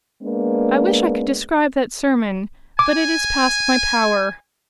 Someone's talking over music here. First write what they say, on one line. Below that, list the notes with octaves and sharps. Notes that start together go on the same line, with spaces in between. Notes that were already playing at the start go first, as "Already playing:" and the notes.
I wish I could describe that sermon: but it is past my power.
G#3 A#3 B3 D4
G#5 D6